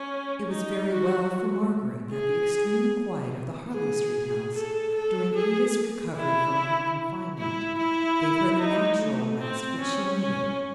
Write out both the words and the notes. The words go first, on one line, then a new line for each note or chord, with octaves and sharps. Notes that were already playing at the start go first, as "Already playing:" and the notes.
It was very well for Margaret that the extreme quiet of the Harley Street house, during Edith's recovery from her confinement, gave her the natural rest which she needed.
Already playing: C#4
D#4
F#4
G#4
G#4
A4
A4
G#4
E4
E4
E4
D#4
A3
C4
C#4
C#4